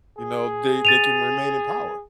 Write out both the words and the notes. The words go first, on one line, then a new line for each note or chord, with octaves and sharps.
you know, they they can remain in power.
G#4
A6 D#7 F7